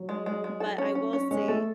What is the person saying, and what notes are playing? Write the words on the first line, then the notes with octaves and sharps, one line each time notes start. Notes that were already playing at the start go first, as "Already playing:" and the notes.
m but I will say
Already playing: F#3
G#3
G#3
G#3
A4
C#4
C#4
C#4
G#3 C#4
A3 A4